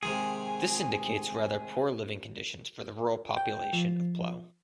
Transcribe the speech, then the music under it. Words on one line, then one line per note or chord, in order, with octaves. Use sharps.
This indicates rather poor living conditions for the rural population of Plaue.
C3 D#3 G#3 G#4 G#5
G5
F3